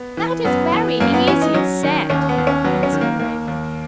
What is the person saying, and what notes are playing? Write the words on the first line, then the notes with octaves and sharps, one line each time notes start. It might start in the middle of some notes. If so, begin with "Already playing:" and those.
"That is very easily said," answered the Raven.
Already playing: B3
E3
F#2 B3
E3
F#2 A#3
B3
E3 C#4
D#4
F#3 C#4
D#3
D#2 C#4
B3
D#2
C#4
F#3 B3
C#4
D#3
A#3
D#2 A#3
D#2